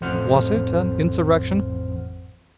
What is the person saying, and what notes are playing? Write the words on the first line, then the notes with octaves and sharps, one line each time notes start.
Was it an insurrection?
A1 F2 C5 F#5 F6